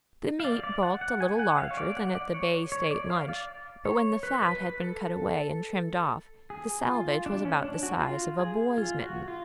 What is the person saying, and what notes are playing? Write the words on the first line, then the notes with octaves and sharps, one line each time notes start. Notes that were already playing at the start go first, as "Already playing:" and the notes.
The meat bulked a little larger than at the Bay State Lunch, but when the fat had been cut away and trimmed off the salvage was about the size of a boy's mitten.
F5
D5
D5
F#5
F#5
G#5
F#5
F5
C#5
D5
F#5
D5
C#5
C#5
D5
F5
D5
C#5
B4
B4
B4
A4
G#4
F4
D4
C#4
D4
F#4
F4
G#4
F4
F#4
F4